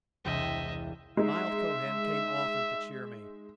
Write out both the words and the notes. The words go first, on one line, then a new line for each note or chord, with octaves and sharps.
The mild Kohen came often to cheer me.
E1 C2 D#5 E5 G5
G#3 D#4 E5